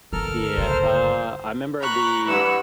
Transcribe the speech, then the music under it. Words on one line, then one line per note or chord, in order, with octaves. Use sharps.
Yeah, uh, I 'member the,
G1 D3 A4 A#4 F6
C#3 A3 C5
A#5 B5 C#6 F#6
G2 E3 F#5 E6